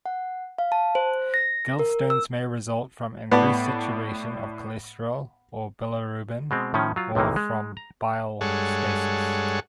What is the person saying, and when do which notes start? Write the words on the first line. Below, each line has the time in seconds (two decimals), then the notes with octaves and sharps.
Gallstones may result from increased saturation of cholesterol or bilirubin, or from bile stasis.
0.06 F#5
0.58 F5
0.72 A5
0.95 C5
1.34 A#6
1.79 A#4
2.10 E6
3.31 A2 B3 D5 A5
6.51 B2 G#3 C4
6.74 A2 D#3 F3 C#4
6.96 F#3 F4
7.15 B1 C3 D#3 E3 A#3
7.36 G#3
7.77 A#5
8.41 G2 G#3 A4 C#5 F#5